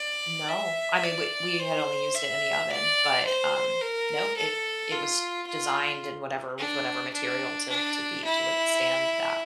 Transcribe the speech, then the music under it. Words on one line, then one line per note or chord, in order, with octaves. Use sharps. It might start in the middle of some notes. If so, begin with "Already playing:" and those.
No, I mean, we we had only used it in the oven, but, um, no, it it was designed and whatever with whatever material to to be to withstand that.
Already playing: D5
E5
D5
C5
E5
D5
C5
A#4
A4
F4
F4
D4
D4
D4
E4